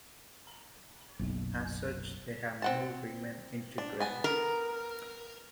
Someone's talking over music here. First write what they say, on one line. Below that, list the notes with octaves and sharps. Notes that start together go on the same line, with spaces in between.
As such, they have no Riemann integral.
F#1 B1
C4 F#5 A5
D4
B3 G#5 A5
A#4